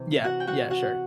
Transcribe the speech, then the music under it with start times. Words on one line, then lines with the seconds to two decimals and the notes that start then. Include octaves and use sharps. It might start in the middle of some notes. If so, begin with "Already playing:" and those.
Yeah, yeah, sure.
Already playing: C3 E3
0.24 F#4 F#5
0.40 G5
0.47 F#4 F#5
0.70 F#4 F#5